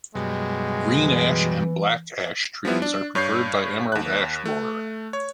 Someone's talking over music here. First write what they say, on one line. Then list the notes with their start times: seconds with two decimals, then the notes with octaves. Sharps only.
Green ash and black ash trees are preferred by emerald ash borer.
0.15 F#2 B2 G3 G#3
0.93 E3
2.65 F3 G3 B3 E4
2.82 D4
3.15 G2 C#5 G6 C7
3.92 D#2 F#6
4.46 A3
5.13 C#5